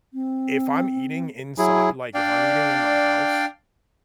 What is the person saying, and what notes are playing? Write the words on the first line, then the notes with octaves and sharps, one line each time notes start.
if I'm eating insi like, if I'm eating in my house,
C4
F#3 E4 G#4
D4 D5 F5 G5